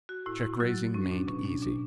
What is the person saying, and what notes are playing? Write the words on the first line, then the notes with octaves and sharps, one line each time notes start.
Check-Raising Made Easy.
F#4
A2 E4
E4
F#3 F#4
A2 C#4
D4
B2 C#4
D4
B2 D4